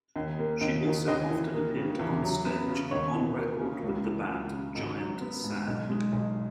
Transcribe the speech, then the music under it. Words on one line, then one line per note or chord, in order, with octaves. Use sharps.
She also often appeared onstage and on record with the band Giant Sand.
D#2
A#3
D#2
D#3
D#2 D#5
E3
A#3
C#3
E2
F#3
B3
C#3
D#2 C#5
E3
A#3
C#3
C#2
E3
C#2
C#3
G#1
F#3
B3
G#2
B1
G#3
B1